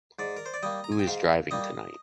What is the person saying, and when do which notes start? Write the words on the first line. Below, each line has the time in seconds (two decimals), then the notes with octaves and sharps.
Who is driving tonight?
0.19 G#2 D5
0.37 A#4
0.46 C5
0.54 D5
0.63 G3 A#3 D#5
0.84 A#5
0.92 G#5
0.99 G5
1.07 G#2 F5
1.51 G3 A#3 D#5